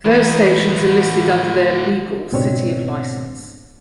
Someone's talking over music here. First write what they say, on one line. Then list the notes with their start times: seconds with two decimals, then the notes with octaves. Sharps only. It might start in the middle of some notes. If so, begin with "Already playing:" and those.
Those stations are listed under their "legal" city of licence.
0.05 E3 F#3 D#4 A#4 B4
0.69 A2 D3
2.32 C#2 G#2 B2 C4 D4 C#5